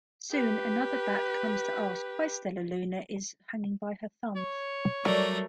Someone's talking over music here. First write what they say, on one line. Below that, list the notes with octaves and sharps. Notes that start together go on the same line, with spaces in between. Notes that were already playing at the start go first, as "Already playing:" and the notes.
Soon another bat comes to ask why Stellaluna is hanging by her thumbs.
G4 B4
C#5
F#3 G3 A3 A#4 D5